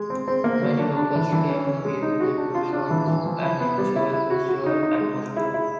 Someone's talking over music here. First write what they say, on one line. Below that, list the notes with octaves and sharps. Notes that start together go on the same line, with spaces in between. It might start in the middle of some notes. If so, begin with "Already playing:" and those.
Many locals came to view the blossoms and enjoy the festival atmosphere.
Already playing: G#3
C4
C4
A#3
F#3
D4
D4
E3
E3
C#4
C#4
G#3
D#4
F#4
D4
F4
D4
E3
E3
F3
E4
B3
G3
E4
E4
F#4
F#4
D#4
D#4
G#3
G#3
E4
E4